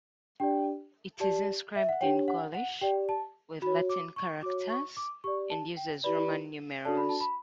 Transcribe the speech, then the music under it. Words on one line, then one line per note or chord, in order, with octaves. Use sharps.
It is inscribed in Gaulish with Latin characters and uses Roman numerals.
D4 G4 D5 G5
G4 D5 A5
E5
F#5
D4 G4 C#5 G5
F#5
F#5
G4 D5 G5
A5
F#4 C#5 B5
D6
C#6
F#4 C#5 D6
C#6
D6
G4 D5 C#6
A5
G5
E4 G4 B4 D5 B5
D4 F#4 A4 D5 A5
B5
A5
B5